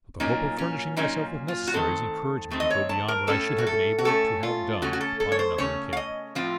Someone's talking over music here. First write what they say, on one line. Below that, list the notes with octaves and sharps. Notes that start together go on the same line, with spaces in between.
But the hope of furnishing myself with necessaries encouraged me to go beyond what I should have been able to have done upon another occasion.
A#2 F#3 A#3 C#4 D#4
C#4
A#2 F#3 A#3 C#4 D#4
F4
F#4
D#3 A3 C4 A4
D#3 A3 C4
D#5
C#5
A5
A#4
A2 A3 C#4 A4
F#4
A4
F#4
A2 A3 C#4 A4
F4
C#3 A3 C#4 F#4
F#4
A4
A4
C#5
C5
C#3 A3 C#4 C#5
F5
D#5
A2 F3 C4 F4